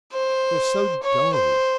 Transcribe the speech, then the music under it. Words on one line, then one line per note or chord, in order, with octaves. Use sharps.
"They're so dull."
C5
C#5
C5